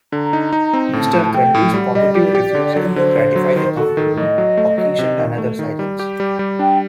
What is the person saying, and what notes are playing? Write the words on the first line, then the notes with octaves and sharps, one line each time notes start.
Mr. Grundy’s positive refusal to gratify the company occasioned another silence.
D3 A#5
D#4
D#4
C4
A2 A5
A2
A3 G5
A2
G3 F#5
G3 D#5
G4 D5
G4
D3
F#3
D3 C5
D3
F#3
D#3
F#4 A4
D#3
A2 D#5
F#3
A3
F#3
C3
D#3
A3
D#3
G3
G4
G3
G3
D4 G5